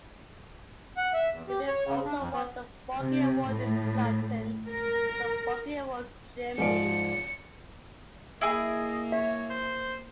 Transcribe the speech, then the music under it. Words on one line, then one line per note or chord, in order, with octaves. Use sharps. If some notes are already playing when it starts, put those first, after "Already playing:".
The film also won the Bogey Award in Platin from the Bogey Awards, Germany.
F#5
E5
E2
G4
C#5
C#3
D4
F2
B3
C3
A2
A#4
G#2 F3 D5 C#7
A#3 E4 G#4 D#5
C#5 E5
C5